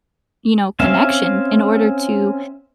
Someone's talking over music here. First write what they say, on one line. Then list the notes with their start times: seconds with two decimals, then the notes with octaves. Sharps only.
you know, connection, in order to
0.80 C4 C#4 E5 F5